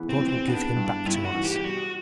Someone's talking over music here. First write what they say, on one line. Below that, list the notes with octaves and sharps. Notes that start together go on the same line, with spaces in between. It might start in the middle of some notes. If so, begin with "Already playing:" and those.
God will give him back to us!
Already playing: E3 B3
C4
E3
C4
B3 D4
G2
G2 E4
E4
F#4
E3
G4
G4
G3 F#4